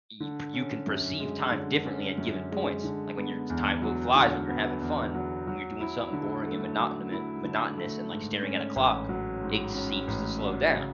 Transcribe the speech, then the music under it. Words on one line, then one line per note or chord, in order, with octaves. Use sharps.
y you can perceive time differently at given points. Like when you're time go flies when you're having fun, when you're doing something boring and monotonous monotonous and, like, staring at a clock, it seems to slow down.
D3
C#4
F#2
G#3
D3
C#4
F#2
G#3
D3
B3
E2
F#3
D3
B3
E2
F#3
F#3
E4
D3
A3
F#3
E4
D3
A3
G#2
C#4
A1
F#3
G#2
C#4
A1
F#3
C#3